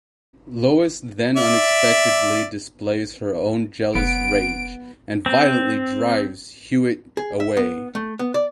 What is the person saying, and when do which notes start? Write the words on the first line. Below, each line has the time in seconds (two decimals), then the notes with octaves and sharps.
Lois then unexpectedly displays her own jealous rage, and violently drives Hewitt away.
1.37 D5 E5
3.95 F1 B3 D7
5.26 C4
7.17 G#4
7.40 E5
7.57 B3
7.95 A3
8.19 B3
8.34 D5